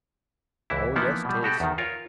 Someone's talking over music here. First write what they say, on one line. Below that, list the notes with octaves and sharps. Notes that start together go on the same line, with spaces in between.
Oh yes, 'tis.
C#2 E3 E4
E3 F3 A#3 B3 D#4 E4
B2 G3
B2 F#4 G4 A4
E2 D#3
F4 A#4 C#5